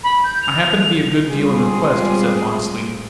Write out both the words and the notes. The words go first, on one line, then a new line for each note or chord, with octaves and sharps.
"I happen to be a good deal in request," he said modestly.
B5
G6
F7
G3 G#3 C4 F4 G#4